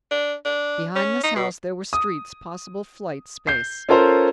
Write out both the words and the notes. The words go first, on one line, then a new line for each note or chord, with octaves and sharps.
Behind this house, there were streets, possible flight, space.
D4
D4
C#4
D#4
B2
D#6
G6 C7
C#4 F4 A4 A#4 C5